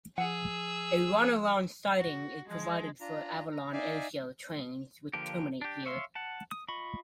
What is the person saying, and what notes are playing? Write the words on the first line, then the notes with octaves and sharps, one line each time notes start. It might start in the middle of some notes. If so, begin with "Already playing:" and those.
A Run around siding is provided for Avalon Airshow trains which terminate here.
F3 G#4 F#5 E6
F#4
F3 G#3
D4 F4 A#5
A#5
D#4 D5 E5 F5 G#5
D3 F3 A#3 D4 G4
D4 G4
C#5 E5 F5 C6
F#5 A5
D#6
F4 D#5 B5 C#6